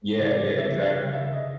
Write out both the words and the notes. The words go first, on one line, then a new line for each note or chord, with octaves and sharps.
Yeah, yeah, exactly, like
C#3 D5
C#3
E5
C#3
C#3 F5
E5
D#5